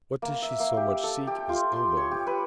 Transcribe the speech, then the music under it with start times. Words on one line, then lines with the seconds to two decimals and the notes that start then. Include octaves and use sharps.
What does she so much seek as elbowroom?
0.22 A#3
0.42 E5
0.60 A#3
0.77 G4
1.03 A4
1.27 G4
1.49 F4
1.72 C6
1.97 C#5
2.11 G4
2.27 B4